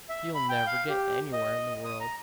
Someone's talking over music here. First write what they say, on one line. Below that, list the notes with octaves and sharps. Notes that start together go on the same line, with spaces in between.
You'll never get anywhere in the world.
E5
B5
G5
F5
G4
D#5
D#6
A#5